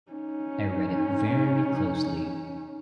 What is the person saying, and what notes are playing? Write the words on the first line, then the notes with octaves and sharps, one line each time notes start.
I read it very closely.
C#4 D#4